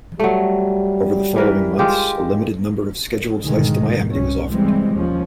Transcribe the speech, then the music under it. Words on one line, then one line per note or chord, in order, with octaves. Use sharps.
Over the following months, a limited number of scheduled flights to Miami was offered.
F#3 G3 A3
E3 A#4 B4
G#3 F4 G4
C2 G#2 B2 D3 D#3 G#3
C2 C#4
E3 G3 G#3 C4
D#2 F3 C#4